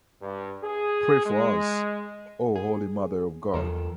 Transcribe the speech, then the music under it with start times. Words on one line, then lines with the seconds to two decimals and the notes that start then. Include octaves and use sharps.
Pray for us, O' Holy Mother of God.
0.22 G2
0.62 G#4
1.26 G#3
2.56 G#4
3.54 E2 F3 A4 A#4